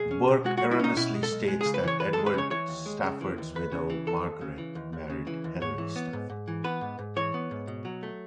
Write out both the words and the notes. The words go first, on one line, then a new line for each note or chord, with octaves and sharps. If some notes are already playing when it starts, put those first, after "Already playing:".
Burke erroneously states that Edward Stafford's widow, Margaret, married Henry Stafford.
Already playing: B1 G#4
C#4
B2
G#3 F#4
F#4
B1
E4
C#4 D#4
B2 E4
G#3
A4
B1
G#3
G#4
C#3
B4
E3 C#5
D#2 B4
A4
G#3
B4
C#3 C#5
E3 C#5
D#2
G#3
C#3
E3
D#2
D#2 B4
C#3
E3
D#2 A4
D#2
C#3
E3
D#2
D#2
C#3
E3
D#2
G#2 C#5
E3
B3
G#2
G#2
E3
B3 B4
G#2
G#2
E3 C#5
B3
G#2
B2
F#3
A3